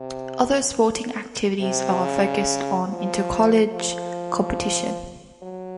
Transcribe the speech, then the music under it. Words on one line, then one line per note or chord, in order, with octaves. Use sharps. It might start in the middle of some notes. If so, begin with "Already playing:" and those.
Other sporting activities are focused on inter-college competition.
Already playing: C3
C3
C#3
F3
F3
F#3